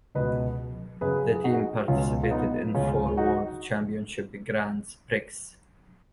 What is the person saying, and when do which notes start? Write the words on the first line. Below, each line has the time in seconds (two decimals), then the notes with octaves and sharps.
The team participated in four World Championship Grands Prix.
0.15 C#2 B2 B4 D#5
1.01 F#2 C#3 G#4 B4
1.35 G#4
1.44 D#4 F#4
1.88 C#2 B2 C#4 F4
2.23 F4
2.31 B3 D#4
2.74 C#2 C#3 C#4 F4
3.17 D#4 F#4